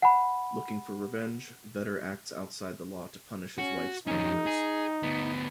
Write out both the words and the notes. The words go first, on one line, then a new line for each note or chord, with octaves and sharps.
Looking for revenge, Vetter acts outside the law to punish his wife's murderers.
F#5 G#5 B5
C#4 F#4
F2 C#4 D#4
G#4
D2 B3